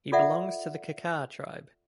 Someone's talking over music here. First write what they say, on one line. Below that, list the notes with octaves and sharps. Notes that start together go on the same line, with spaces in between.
He belongs to the Kakar tribe.
F4 A4 D5 E5 F#5